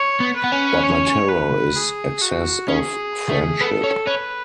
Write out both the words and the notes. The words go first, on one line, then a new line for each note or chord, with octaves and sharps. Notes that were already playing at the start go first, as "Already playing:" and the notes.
But my terror is excess of friendship.
Already playing: C#5
B3
B4
B3
C#4
C#5
B4
G#4
F#4
C#4 G#4
A3
B3 A4
C#4
C#4 B4